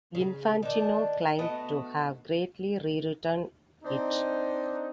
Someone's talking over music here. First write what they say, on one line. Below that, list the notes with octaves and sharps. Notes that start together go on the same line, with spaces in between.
Infantino claimed to have greatly rewritten it.
C#3
D#3 D4
A3 B3 F#4 D#5
C4 D4 D#4